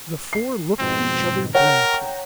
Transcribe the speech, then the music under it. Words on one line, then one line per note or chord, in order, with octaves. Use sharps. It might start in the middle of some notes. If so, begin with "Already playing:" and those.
The four looked at each other blankly.
C7
F2 G#2 B2 C4
A#4 C#5 F#5 G5 A#5